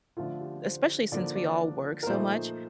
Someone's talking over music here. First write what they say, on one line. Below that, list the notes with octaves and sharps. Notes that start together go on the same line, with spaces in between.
especially since we all work so much,
D3 F3 A3 F4
G4
C5
D3 F3 A#3 D5
D5
A#4
A#2 F3 A3 D#4 C5